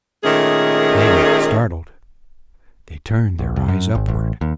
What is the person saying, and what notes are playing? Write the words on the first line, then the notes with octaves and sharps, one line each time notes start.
Then startled, they turned their eyes upward.
A#2 D#3 A3 C#4 G#4
A#1
C2
F#2
G#1
A1
D#2